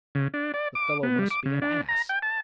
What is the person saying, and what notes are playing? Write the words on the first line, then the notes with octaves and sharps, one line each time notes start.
The fellow must be an ass!
C#3
D4
D5
D6
B3
G3
D6
C#3
D4
A#5
G5
A5